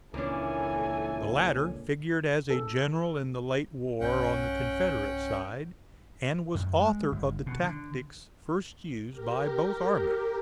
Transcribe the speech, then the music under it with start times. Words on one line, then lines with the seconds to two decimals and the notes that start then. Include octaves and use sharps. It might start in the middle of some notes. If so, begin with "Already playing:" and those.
The latter figured as a general in the late war, on the Confederate side, and was author of the tactics first used by both armies.
0.14 C#2 A#2 E3 A#3 C#4 D4 A4 G#5
2.50 A4
4.00 B1 G2 C#4 F#5 G5 G6
6.55 F#2
6.80 G#3
7.12 G1
7.46 B2
7.63 D3
9.11 G4 A#4